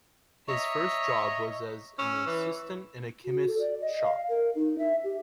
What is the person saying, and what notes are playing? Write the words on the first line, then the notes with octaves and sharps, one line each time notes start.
His first job was as an assistant in a chemist's shop.
C#5 D#5 E5 A#5
C#4 E6
E3
F#4
A4
D5
D#5
F5
A#4
D#4
E5
G4